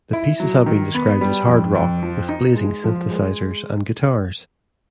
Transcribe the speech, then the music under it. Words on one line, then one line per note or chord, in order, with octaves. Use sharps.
The pieces have been described as "hard-rock" with "blazing synthesizers and guitars".
E4
F#3
D#3
B3
G3
F2
F2
F3
D#4
G#3
F3
G#3